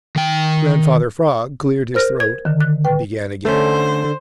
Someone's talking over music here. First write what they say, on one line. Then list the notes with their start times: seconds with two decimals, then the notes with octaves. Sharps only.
Grandfather Frog cleared his throat and began again.
0.16 D#3 G5
1.94 A#4 C5 F6 A#6
2.20 G#6
2.45 D3 D#3
2.61 F#6
2.85 B4 G5
3.45 D3 A3 C#4 C5